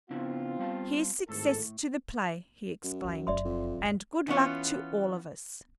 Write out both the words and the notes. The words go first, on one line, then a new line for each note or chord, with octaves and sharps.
"Here's success to the play," he exclaimed, "and good luck to all of us!"
C#3 B3 C4 D4 E4 F4
G3 F5 A5
G#1 A2 A4
F#2
D2
F#1 F#3 D5 E5 C6
F2
G#1 E2
E3 B3 C#4 F4